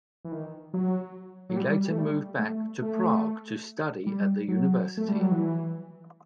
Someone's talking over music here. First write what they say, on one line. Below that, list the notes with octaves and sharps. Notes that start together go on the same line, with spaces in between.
He later moved back to Prague to study at the university.
E3
D#3
F#3
F#3
G3
A3
G3
A3
A3
G3
F#3
A3
G3
F#3
E3